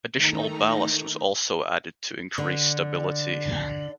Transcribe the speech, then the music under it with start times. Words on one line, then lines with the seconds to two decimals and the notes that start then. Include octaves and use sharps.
Additional ballast was also added to increase stability.
0.13 D#3 A3 D#4 A#5
2.38 D3 D5